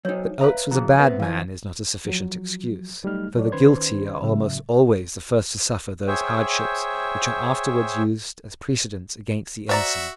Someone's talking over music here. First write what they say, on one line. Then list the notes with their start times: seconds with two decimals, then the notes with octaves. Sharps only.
That Oates was a bad man is not a sufficient excuse; for the guilty are almost always the first to suffer those hardships which are afterwards used as precedents against the innocent.
0.05 F#3 D#4 C5 C#5
0.41 B4 E5 F5 A#5
0.71 C#3 F3 F#4 G#4 A#5
1.00 B3 C4 B4 E5
1.20 E3 E4 C5 F5 G#5
2.05 F3 F#3
3.04 F#3 G3 A3 D#4 F6
3.36 F#3 A4 C#5 D5
3.52 D#3 C#4 B4 C5 C6 G#6
4.22 A2 C#3 F#3 E5
6.07 G#4 C5 C#5 E5 G5
9.69 F#4 C5 D5 E5 A#5